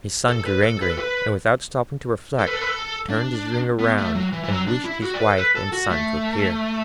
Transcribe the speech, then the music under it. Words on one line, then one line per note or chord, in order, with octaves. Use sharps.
His son grew angry, and, without stopping to reflect, turned his ring round and wished his wife and son to appear.
A4
B4
A4
B4
A4
B4
A4
B4
A4
B4
A4
D4
B3
A3
F#3
E3
E3
F#3
D4
E4
F#4
D5
B4
A4
B4
A4
F#4
A3